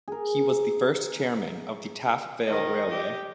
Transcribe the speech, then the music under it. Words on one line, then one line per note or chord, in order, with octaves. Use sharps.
He was the first chairman of the Taff Vale Railway.
G#4 A#4
D#3 D#5
G4